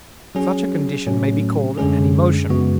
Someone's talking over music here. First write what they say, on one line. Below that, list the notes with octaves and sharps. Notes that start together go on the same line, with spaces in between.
Such a condition may be called an emotion.
F#3 C#4 G#4
A2 F#3 A3 C#4
F#2 D3 G#3 C#4 G#4
F#2 C#3 G#3 B3 F#4